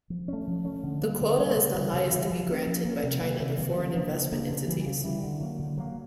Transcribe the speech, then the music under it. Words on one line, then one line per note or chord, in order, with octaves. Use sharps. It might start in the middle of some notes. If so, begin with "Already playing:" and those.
The quota is the highest to be granted by China to foreign investment entities.
F3
A3 C#4
F3
A3 C#4
D3
G3 A#3
D3
G3 A#3
C#3
E3 G3
C#3
E3 G3
F3
A#3 C#4
F3
A#3 C#4
C3
D#3 F#3 A#3
C3
D#3 F#3 A#3
C#3
F3 A#3 D4
C#3
F3 A#3 D4
C#3
E3 G3
C#3
E3 G3
D3
F#3 A#3
D3
F#3 A#3